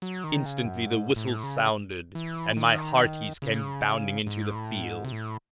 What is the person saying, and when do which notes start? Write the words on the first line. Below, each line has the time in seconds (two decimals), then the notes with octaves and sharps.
Instantly the whistles sounded, and my hearties came bounding into the field.
0.02 F#3
0.24 D#3
0.46 C#3
0.66 F#2
0.87 G#2
1.16 A2
1.43 C#3
2.15 E3
2.57 D#3
3.42 C#3
4.27 G#2
4.55 A2
4.84 G#2
5.05 C3
5.12 A2